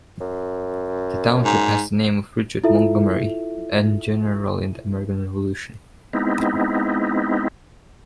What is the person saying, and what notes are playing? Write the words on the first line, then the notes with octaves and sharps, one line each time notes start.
The township has the name of Richard Montgomery, an general in the American Revolution.
F#2
G#2
E4 F4 A4 E5
G#3 B3 C4 D#4 E4